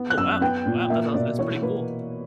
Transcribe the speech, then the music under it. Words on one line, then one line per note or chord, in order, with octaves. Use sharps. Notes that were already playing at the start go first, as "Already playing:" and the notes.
Oh wow, wow, that's awes that's pretty cool.
Already playing: B3
F#6
F#2 E6
B3 G5
A#2
A#3 E5
B2 D5
E3 C#5
A#3 B4